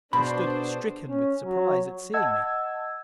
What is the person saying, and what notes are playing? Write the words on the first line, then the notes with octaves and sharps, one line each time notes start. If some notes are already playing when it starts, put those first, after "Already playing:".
He stood stricken with surprise at seeing me.
B2 D4 F#4 G#4 C5 B5
C#4
F#3
D#5 F#5 A5 E6 G#6